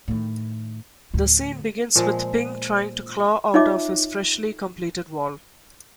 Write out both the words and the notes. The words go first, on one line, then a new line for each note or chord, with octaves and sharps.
The scene begins with Pink trying to claw out of his freshly completed wall.
A2 D#3
D2 A2
A#2 F3 G#3
D#4 F4 C#5 D#5 E5 D6